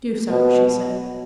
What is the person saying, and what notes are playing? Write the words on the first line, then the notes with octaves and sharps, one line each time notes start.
"Do so," she said.
B2